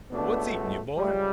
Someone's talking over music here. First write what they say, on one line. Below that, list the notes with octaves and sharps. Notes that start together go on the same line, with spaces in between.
What's eatin' ye, boy?
C#2 B2 A3 B3 D4
C#2 C#3 G3